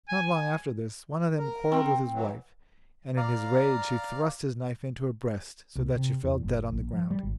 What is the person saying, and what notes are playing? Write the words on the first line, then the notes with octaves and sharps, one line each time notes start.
Not long after this one of them quarrelled with his wife, and in his rage he thrust his knife into her breast so that she fell dead on the ground.
G#5
A#4
C4 G5
E3 F#3
D5 F5 A#5
C2
C3
E2
F#1
A#1
F3
G3
G#1